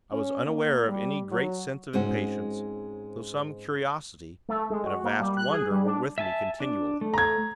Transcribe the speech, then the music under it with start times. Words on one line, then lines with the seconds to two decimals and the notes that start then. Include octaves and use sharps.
I was unaware of any great sense of impatience; though some curiosity and a vast wonder were with me continually.
0.12 C#4
0.46 A#3
0.88 G3
1.31 F#3
1.93 G#2 G#3 C4 C#4 F#4
4.49 A3
4.70 G#3
4.84 F#4
5.04 A#3
5.20 G3
5.37 F#6
5.51 G#4
5.71 G3
5.86 D4
6.18 E5 G#5 A5
6.60 D4
7.01 A3
7.14 A#5 G#6